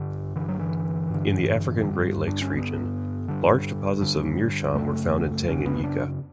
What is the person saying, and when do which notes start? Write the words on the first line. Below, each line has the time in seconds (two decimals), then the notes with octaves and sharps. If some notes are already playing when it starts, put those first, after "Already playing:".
In the African Great Lakes region, large deposits of meerschaum were found in Tanganyika.
Already playing: G2 D3
0.36 G2 D3 E3
0.49 F#3
0.59 E3
1.10 G2 D3
1.82 G2 D3 G3
2.27 D4
2.41 C#4
2.56 G2 D3 B3
3.28 G2 D3
4.01 G2 D3
4.74 F#2 C#3 A3
5.48 F#2 C#3 C#4
5.66 B3
5.84 D4